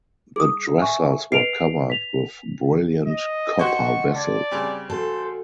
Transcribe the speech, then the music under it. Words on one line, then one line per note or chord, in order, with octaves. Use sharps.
The dressers were covered with brilliant copper vessels.
G#4 D#6
E5 G#5 C#6
B4 D#5 C7 D7 F7
B6 F7
D#5
F#4 G4 C5 D#5 F#5 C#6 G#6
D5 A5 G#6
C#3 G3 C4
F#4 A4 C5